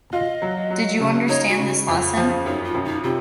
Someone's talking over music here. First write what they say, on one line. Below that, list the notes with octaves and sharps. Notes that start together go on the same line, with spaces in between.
Did you understand this lesson?
F4 D#5
F#3
F#3
C#3
D#4 C#5
F#4
C#3
F#4
F2 F4
F3
F#2 D#4
F4
F#2
D#4
C3 F4